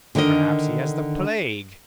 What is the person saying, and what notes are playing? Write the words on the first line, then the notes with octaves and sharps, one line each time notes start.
Perhaps he has the plague.
D3 D#3 D4 A#4 D#5